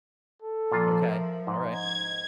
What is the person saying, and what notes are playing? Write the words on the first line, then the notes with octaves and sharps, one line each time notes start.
Okay. Alright.
A4
A#2 F3 F4
A#4 E5
G#2 D#4
G#6